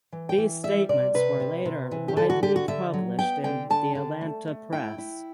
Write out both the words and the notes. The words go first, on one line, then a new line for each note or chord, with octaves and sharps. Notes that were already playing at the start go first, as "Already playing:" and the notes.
These statements were later widely published in the Atlanta press.
E3
G5
E3
G3 E5
C3 D5
C3 B4
C3
C3
E3
G4
D3 A4
F#4
D3 G4
F#4
D3 E5
F#3
B3 G5
D3 G5
D3 A5
D3
A3
A3
E4 G5
E4